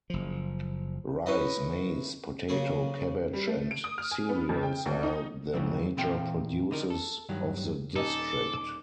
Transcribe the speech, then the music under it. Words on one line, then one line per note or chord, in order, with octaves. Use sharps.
Rice, Maize, Potato, Cabbage and cereals are the major produces of the district.
F#1 F3
C#4 D#4 E4 B4 D#5
C#3 F#3 A#3 G#4
G3
A3
D7
D#6
F6
G#5
B3
F2
G5
D2
D#4
F#2 C#3 E3 F3 C4
A#2 E3 C4 F5 G5
D3 D#4 A#4
A4
G2 D#3 F#3
D#1 D#4 A4 D#5 G#5 D6